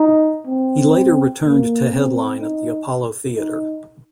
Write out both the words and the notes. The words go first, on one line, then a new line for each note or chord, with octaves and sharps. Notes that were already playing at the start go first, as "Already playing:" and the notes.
He later returned to headline at the Apollo Theater.
Already playing: D#4
C4
A#3
C4
D#4
D#4